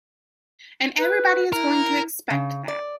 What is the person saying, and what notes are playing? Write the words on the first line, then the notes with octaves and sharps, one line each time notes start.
And everybody is going to expect that.
B4
E4 A#4
C#3
D5